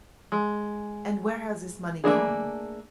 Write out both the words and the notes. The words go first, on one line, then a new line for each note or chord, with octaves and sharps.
"And where has this money gone?"
G#3
A3 A#3 D4 G#4